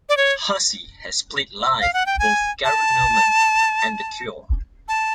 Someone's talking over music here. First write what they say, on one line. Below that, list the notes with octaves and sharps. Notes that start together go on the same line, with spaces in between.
Hussey has played live with both Gary Numan and The Cure.
D5
C#5
F5
F#5
G5
G#5
A5
A5